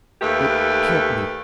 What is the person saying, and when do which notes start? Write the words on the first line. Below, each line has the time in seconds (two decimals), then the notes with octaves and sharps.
It can't be.
0.21 D#2 A3 G4 B4